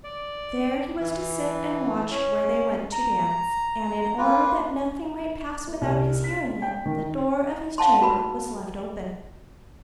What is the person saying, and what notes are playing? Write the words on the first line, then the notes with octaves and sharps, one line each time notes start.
There he was to sit and watch where they went to dance; and, in order that nothing might pass without his hearing it, the door of his chamber was left open.
D5
E3
C#4
A#5
A#3 F4 B4
E4
C2
B6
G5
D#3
F5 F#5 A5 C6
F#4 B4 B5